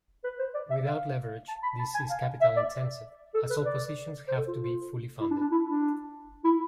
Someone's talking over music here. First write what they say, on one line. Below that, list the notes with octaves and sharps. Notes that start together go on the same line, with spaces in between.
Without leverage this is capital intensive as all positions have to be fully funded.
B4
C5
D5
E5
F5
A5
B5
A5
G#5
F5
E5
D5
A4
B4
D5
C5
A4
F4
F4
E4
D4
D4
E4
D4
E4